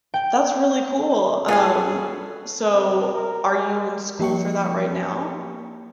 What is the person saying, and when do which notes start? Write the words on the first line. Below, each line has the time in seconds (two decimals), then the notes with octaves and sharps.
that's really cool. Um, so, are you in school for that right now?
0.14 G5
1.48 B3 F4 F#4 G#4 A4 F5 G#5
2.72 C3
3.14 A#4
3.51 G#3
4.19 F3 A#3 G4 G5 C#6 C#7